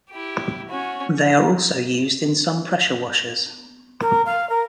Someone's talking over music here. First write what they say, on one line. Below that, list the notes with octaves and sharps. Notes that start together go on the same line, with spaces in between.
They are also used in some pressure washers.
E4 G4
C#4 F#4
A#4
F5
A#4